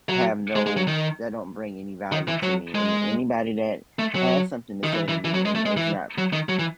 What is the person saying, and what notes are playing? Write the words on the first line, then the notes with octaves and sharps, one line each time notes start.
have no that don't bring any value to me. And anybody that has something to say to me and is not
F#3
G#3
G#3
F#3
D#3
D#3
E3
F#3
G#3
A3
F#3
D#3
E3
E3
E3
F#3
G#3
A3
G#3
E3
F#3
D#3
F#3
E3